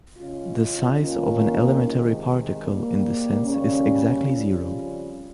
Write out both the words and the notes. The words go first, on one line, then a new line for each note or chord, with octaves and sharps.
The "size" of an elementary particle, in this sense, is exactly zero.
C#3 G#3 C#4 F4
D#2 D#3 A#3 C#4 F4
C3 D#3 G#3
G#2 G3 A#3
D#2 C#3 G3 C#4
F2 C#3 G3 C#4 F4